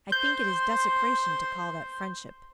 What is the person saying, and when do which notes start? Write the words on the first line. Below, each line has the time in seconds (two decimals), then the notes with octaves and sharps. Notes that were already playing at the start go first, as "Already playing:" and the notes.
I think it is desecration to call that friendship.
0.12 C5 C6 G6